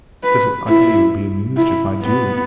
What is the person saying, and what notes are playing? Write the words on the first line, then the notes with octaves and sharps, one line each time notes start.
Little Ugly will be amused, if I do.
B4
E4
E4
B3